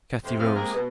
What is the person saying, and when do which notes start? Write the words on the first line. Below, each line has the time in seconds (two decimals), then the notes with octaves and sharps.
Cathy rose.
0.24 F2 C3 C5
0.40 F2 F3 G#3 E4 D#5 F5
0.55 G#3 A#3 C4 G4 G#4 A#4
0.73 B2